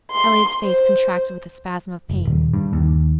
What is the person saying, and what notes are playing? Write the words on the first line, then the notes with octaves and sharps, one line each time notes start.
Elliott's face contracted with a spasm of pain.
C6
C5
F#1
D#1
G2
D#2